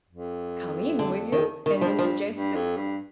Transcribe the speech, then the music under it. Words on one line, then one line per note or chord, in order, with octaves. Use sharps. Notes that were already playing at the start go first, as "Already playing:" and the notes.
"Come in, will you?" Edwin suggested.
F2
D3
D#3
G2 D#3
F3
F3
G2
F2
G2